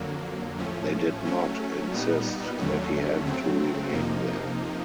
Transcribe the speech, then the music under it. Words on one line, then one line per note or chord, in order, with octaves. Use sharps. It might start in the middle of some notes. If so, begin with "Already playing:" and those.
They did not insist that he had to remain there.
Already playing: F2 D3 F#3 A#3
A2 F3 A3 C#4
F#3 A3 C#4
A#2 G3 B3 D#4
D#2 D3 F#3 A3 C#4
C#3 F#3 A3 C4
F2 C3 F3 A#3 D#4